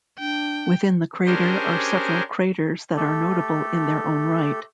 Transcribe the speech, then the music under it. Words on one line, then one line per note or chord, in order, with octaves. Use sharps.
Within the crater are several craters that are notable in their own right.
D4 G5
C#4 D4 G4 G#4 A#4 C5
A3 G4 A4